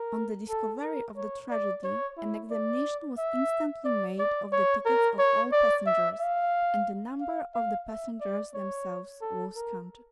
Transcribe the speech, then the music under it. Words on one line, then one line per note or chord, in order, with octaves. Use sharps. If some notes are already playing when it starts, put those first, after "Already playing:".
On the discovery of the tragedy an examination was instantly made of the tickets of all passengers, and the number of the passengers themselves was counted.
Already playing: A#4
A4
A#4
C#5
D5
C#5
E4
D5
E5
D5
D5
C#5
A#4
C#5
D5
E5
F5
F5
F5
E5
D5
C#5
A4
A#4